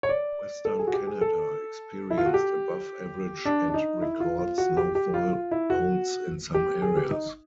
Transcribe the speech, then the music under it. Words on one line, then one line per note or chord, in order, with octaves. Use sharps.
Western Canada experienced above average and record snowfall amounts in some areas.
C#5
D5
A4
G#4
F#4
G4
G#4
A4
E4
F4
F#4
G4
D4
D4
D#4
E4
F4
F4
F#4
G4
G4
F4
F4
E4
F#4
G4
G#4
G4
D#4